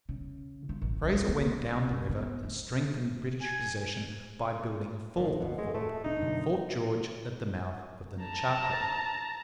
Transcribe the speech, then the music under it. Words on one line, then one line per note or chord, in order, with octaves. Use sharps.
Fraser went down the river and strengthened British possession by building a fourth fort--Fort George at the mouth of the Nechaco.
C#3
F4
A1
C#2
A#3
C#2
C#3
B3
A3
G#5
F#1 A#2 D#3
G#1 D#2 B2
G#3 A3
A2 A3
F1 D4 D#4
F#2 B2 D3
A5 A#5